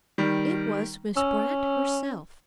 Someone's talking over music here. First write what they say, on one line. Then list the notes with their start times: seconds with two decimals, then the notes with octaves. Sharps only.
It was Miss Brant herself.
0.18 D#3 G3
1.17 C#4 E6